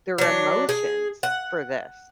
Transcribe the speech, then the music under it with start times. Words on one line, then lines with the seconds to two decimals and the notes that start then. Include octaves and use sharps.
their emotions for this.
0.18 F#3 D4
0.69 G#4
1.23 F#5